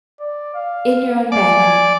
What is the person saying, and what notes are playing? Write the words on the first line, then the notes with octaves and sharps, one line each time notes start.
"In your own bed--honey."
D5
F5
D5 G#5